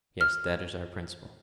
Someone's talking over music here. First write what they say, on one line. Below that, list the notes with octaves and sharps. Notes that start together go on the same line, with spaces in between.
Yes; that is our principle.
F6